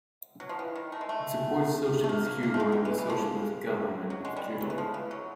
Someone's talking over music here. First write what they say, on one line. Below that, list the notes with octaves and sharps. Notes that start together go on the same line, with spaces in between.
It supports socialist Cuba and the socialist government of Cuba.
F#3
F3
E3
D#3
A3
G#3
A3
A3
A#3
A#3
A#3
A3
G#3
G3
E3
E3
F3
F#3
G#3
G3
F#3
E3
F3
E3
F#3